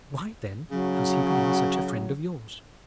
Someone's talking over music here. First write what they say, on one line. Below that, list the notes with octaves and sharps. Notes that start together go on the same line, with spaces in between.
"Why, then, has he been such a friend of yours?"
C#3 F#3